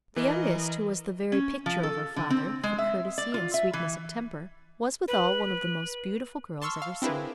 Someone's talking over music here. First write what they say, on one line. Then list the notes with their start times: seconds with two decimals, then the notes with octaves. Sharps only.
The youngest, who was the very picture of her father, for courtesy and sweetness of temper, was withal one of the most beautiful girls ever seen.
0.16 E3 A#4 D#5
1.32 C#4
1.66 F3
1.83 A4
2.16 D3
2.30 C4
2.63 G#3
2.78 E5
3.18 D5
3.34 F4
3.54 E5
3.73 E3
5.08 B4
6.62 A5 C6 C#6 E6 F6
6.82 F5
7.02 C4 D4 E4 G#4 A#4 B4